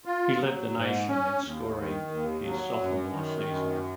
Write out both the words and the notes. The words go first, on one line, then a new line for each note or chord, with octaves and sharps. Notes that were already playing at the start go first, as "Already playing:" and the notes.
He led the nation in scoring his sophomore season.
F4
F#3
G#2
C#4
D#2
D#3
D#2
F#3
F#2
D#3
F#2